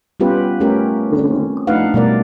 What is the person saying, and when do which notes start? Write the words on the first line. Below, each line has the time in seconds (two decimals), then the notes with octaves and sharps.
Cool, cool.
0.20 G3 B3 C#4 F4 G4 B4
0.60 A3 C#4 G4 A#4
1.15 C4 C#4
1.67 A3 D4 D#4 B4 F5 F#5
1.94 B2 G3 A3 A#4 D5